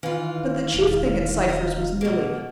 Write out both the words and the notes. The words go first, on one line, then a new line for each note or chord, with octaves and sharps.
But the chief thing at Cypher's was Milly.
D#3 E3 F4 F5
E1
D#4
B2 A#3